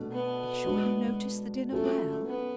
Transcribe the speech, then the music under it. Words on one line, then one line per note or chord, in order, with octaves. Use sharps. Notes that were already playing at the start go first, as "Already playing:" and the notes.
Be sure you notice the dinner well.
Already playing: B2 A3 D4
B3
G#3 D4 F#4 B4
F#3 A3 C#4 F4 G#4
B3